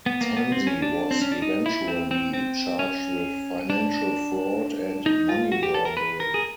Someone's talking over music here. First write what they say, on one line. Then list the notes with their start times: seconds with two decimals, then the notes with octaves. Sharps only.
Tanzi was eventually charged with financial fraud and money laundering.
0.06 B3
0.21 A#3
0.36 B3
0.52 C4
0.67 C#4
0.82 D4
1.11 C4
1.22 C#4
1.32 D4
1.42 D#4
1.66 E4
1.88 C4
2.11 C4
2.33 C4
2.79 C#4
3.70 D4
5.06 D#4
5.29 F4
5.52 F#4
5.63 G4
5.74 A4
5.85 A#4
5.97 B4
6.20 A#4
6.34 G#4